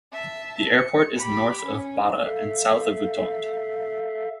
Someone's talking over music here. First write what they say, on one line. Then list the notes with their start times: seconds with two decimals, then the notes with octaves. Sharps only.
The airport is north of Bata and south of Utonde.
0.12 E5 A5
0.76 C#7
1.16 G4 B5
1.64 C#4
2.24 A4 E5 F5